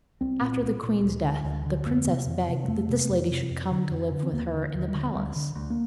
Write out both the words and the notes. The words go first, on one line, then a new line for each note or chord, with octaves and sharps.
After the queen's death the princess begged that this lady should come to live with her in the palace.
C2 C4
A#2
C2
A#2
D2
D3
D2
D3
F2 A#3
C3
F2
C3
G3
F2 A3
C3
F2
C3
F2
D3
F2
D3
C4
D#2 A#3
D3
D#2
G3
D3
D2 G3
D3
D2
A#3